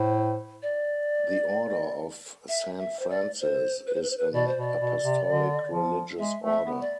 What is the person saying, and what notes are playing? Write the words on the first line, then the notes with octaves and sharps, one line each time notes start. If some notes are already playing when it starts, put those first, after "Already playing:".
The Order of Saint Francis is an Apostolic religious order.
Already playing: A2 C5
D5
E5
E5
C5
D5
C5
B4
C5
B4
C5
B4
B2 D5
C5
B2 D5
B2
C3
D3
F3
G#3 E5
A3
E5
B3
D5